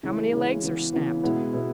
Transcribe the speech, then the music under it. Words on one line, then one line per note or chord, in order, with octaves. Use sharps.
"How many legs are snapped?"
C#3 E3 G#3 C#4 E4
C#3 E3 G#3 C#4 E4
C#3 E3 B3
C#3 E3 B3
B2 G#3 B3 E4
B2 G#3 B3 E4